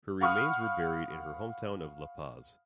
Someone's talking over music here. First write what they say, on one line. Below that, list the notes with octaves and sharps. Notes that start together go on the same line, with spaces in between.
Her remains were buried in her hometown of La Paz.
F5 F#5 B5 C#6 D#6 F6